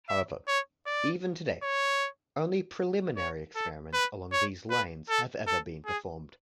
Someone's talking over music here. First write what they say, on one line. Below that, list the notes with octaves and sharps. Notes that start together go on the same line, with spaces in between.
However, even today, only preliminary experiments along these lines have ever been performed.
E5
C#5
D5
C#5
C#5
A4
B4
C#5
B4
A4
A4
G#4